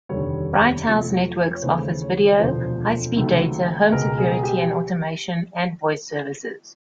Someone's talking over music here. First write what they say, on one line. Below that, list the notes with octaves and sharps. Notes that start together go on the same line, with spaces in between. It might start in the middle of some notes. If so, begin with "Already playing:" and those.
Bright House Networks offers video, high-speed data, home security and automation and voice services.
F1 D#2 D3 G3 C#5
F2 C3 F3 A3
C#5
D#2 C#3 E3 A3 C5
C#5
E1 D2 C3 F3 C5
C#2 C3 D#3 F#3 A3
C#2 B2 G#3 A#4
G#4
G#4
G4